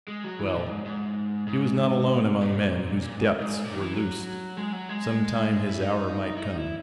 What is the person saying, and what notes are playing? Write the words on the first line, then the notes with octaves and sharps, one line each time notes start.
Well, he was not alone among men whose depths were loosed. Some time his hour might come.
G#3
F#3
E3
A#2
G#2
G#2
G#2
A#2
A#2
G#2
G#2
A#2
D#3
E3
F#3
G#3
F#3
G#3
E4
D#4
E4
D#4
E4